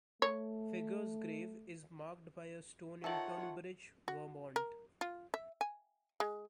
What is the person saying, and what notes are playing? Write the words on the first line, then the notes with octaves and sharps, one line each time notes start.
Figure's grave is marked by a stone in Tunbridge, Vermont.
A3 C#5
D#3 F4 A4 C#5 E5 F#5 A5 F#7
F#4
A#4
F4
E5
G#5
G#3